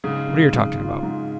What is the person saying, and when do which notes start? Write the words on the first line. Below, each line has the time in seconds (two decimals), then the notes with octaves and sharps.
What are yer talking about?
0.04 G#2 C#3
0.29 G#2
0.53 G#3
0.78 F4
1.03 G#2